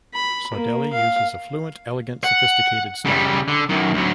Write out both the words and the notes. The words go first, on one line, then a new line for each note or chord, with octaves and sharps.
Saudelli uses a fluent, elegant, sophisticated style.
B5
A#3
F5
F#5
C#3 G3
D3
F#2 D#3
D2 F#3